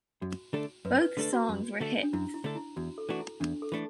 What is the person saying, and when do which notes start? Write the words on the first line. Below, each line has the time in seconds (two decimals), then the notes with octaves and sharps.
Both songs were hits.
0.21 F#2 F#4
0.53 D3 A3 D4 A4
0.85 F#2 B4
1.02 B4
1.17 D3 A3 D4 A4 B4
1.33 F#4
1.49 F#2
1.81 D3 A3 D4 A4
2.03 D4
2.13 F#2 E4
2.34 E4
2.44 D3 A3 D4 A4
2.56 E4
2.76 E2 F#4
2.98 A4
3.09 E3 A3 D4 F#4
3.19 E4
3.40 E2 D4
3.62 A4
3.72 E3 A3 D4